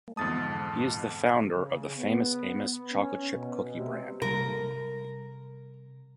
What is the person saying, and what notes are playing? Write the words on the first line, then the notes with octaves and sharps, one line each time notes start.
He is the founder of the "Famous Amos" chocolate chip cookie brand.
F2 G#2 D3 E3 B3 A5 D#6 A6
C#3
B3
C#4
B2
C3
C3 G3 A#4